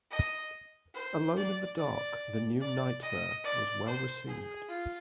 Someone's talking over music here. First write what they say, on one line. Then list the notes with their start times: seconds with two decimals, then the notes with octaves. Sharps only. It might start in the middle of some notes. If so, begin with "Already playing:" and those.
"Alone in the Dark: The New Nightmare" was well received.
0.11 D#5
0.94 C5
1.36 D5
1.77 D5
2.61 D5
3.02 D#5
3.44 D5
3.86 C5
4.27 G#4
4.68 F4